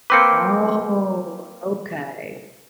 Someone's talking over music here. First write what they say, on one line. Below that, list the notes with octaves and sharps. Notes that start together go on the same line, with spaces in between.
Oh. Okay.
A#3 C4 B4 D6 G6 C#7